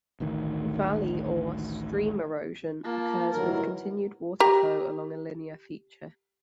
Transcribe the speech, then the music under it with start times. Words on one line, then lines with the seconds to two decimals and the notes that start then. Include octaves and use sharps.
"Valley" or "stream erosion" occurs with continued water flow along a linear feature.
0.20 A1 D2 D#3
2.85 A#3 F4 A5
3.32 G1 A2 D#3 E3 F#3 A#4
4.40 G4 A#5